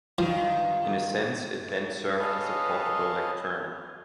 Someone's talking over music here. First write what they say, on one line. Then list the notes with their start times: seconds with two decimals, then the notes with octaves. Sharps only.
In a sense it then served as a portable lectern.
0.19 G2 D#3 F3 F4
2.19 G#4 A4 B4 C#5 D#5 F5